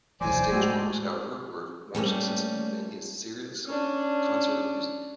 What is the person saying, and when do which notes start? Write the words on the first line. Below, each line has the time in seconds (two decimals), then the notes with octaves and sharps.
His stage works, however, were more successful than his serious concert music.
0.21 E1 D2 F#3 C5 D5 G#5 D6
0.52 A2 G#3 A3 F#4
1.95 G3 A3 A#3 C#4
3.66 C#4 D4